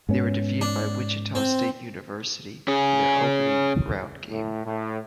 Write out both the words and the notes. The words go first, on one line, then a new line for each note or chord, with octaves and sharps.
They were defeated by Wichita State University in their opening round game.
G#2 B3 C#4
D4
C4
C#4 G#4
A2
A2